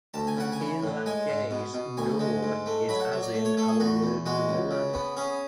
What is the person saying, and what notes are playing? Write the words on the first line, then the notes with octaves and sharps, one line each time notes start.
In that case, -nome is as in our word nomad.
D2 A5
G#5
C#3 F#5
G#5
E3
A2
G#3 G#5
G#2
B2
B2
D2 G#5
G#3
G#2
A3
F#3 B5
F#5
F#3
D5
A3
C#5
A3 A4
G#4
E2 F#4
E2
G#3 F#4
C#2
C#3
B3
C#4 G#4